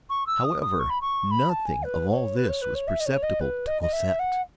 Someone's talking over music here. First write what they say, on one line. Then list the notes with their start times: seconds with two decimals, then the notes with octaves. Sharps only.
However, nothing of all this was perceptible to Cosette.
0.09 C#6
0.26 E6
0.43 D#6
0.61 D#6
0.79 C#6
0.90 B5
1.01 C#6
1.31 B5
1.49 A5
1.65 G#5
1.83 B4
2.10 C#5
2.36 B4
2.48 C#5
2.61 B4
2.74 C#5
2.87 E5
3.00 D#5
3.05 C#5
3.22 D#5
3.40 B4
3.67 D#5
3.82 D#5
3.92 E5
4.19 F#5